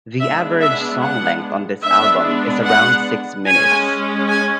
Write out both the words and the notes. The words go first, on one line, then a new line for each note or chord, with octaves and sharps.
The average song length on this album is around six minutes.
G#3 B3 D4 E5
E5
F#5
G#3 B3 D4 E5
F#5
G#3 C#4 G#5
G#5